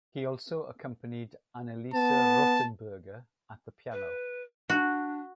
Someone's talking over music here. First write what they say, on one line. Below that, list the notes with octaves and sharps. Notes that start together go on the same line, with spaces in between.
He also accompanied Anneliese Rothenberger at the piano.
B3 A5
B4
D4 F#4